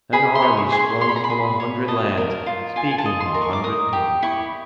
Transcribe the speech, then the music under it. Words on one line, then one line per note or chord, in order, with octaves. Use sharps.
An army sprung from a hundred lands, speaking a hundred tongues!
G#4 B5
C6
C#5
C#6
G#4
C6
C#5 C6
B5
A#5
B5
G#4
C#5
D#5 A5
A#4
F4
F4 G#5
G#5
A5
D#5
C6
A#4
C#6
D6
A#4 D#6
G4
E4 C#6